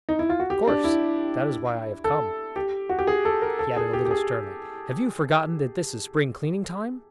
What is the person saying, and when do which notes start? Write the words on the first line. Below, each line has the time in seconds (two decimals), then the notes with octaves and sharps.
"Of course; that is why I have come." He added a little sternly, "Have you forgotten that this is spring cleaning time?"
0.09 D#4
0.19 E4
0.29 F4
0.40 F#4
0.50 G4
0.67 D4
0.84 E4
2.04 A4
2.56 G4
2.89 F#4
2.99 G4
3.07 G#4
3.25 A4
3.42 A#4
3.59 A4
3.76 G#4
3.93 G4
4.05 G4
4.11 G#4